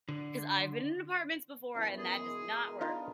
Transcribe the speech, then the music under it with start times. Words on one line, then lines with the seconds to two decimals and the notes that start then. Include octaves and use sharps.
'Cause I've been in apartments before, and that does not work.
0.09 D3
1.75 F#2 B2 E3
1.98 G#4
2.19 B2 G#3
2.68 A#4
2.81 D4 D#4 F4 A#4 B4